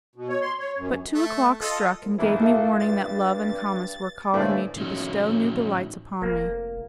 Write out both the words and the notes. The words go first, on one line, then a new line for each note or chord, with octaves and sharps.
But two o'clock struck and gave me warning that Love and Comus were calling me to bestow new delights upon me.
B2
C#5
C6
C#5
F#2
A3
F4 A4 D#5
C2
A#1 G#2 E3 E4
A#3 F4 G#4 A4 E5
G2 A6
A2 D3 E3 A3 C5 D5 F5 G#5
A2 F3 C#4 D#4 F#4
F1 A#3